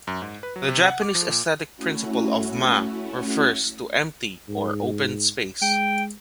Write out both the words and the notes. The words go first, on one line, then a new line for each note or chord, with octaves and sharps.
The Japanese aesthetic principle of Ma refers to empty or open space.
F#2
G#2
B4
F#3
C3
F#5
D6
F3
A#2
A3 C#4 E4 F#4
G#2
G#3 G5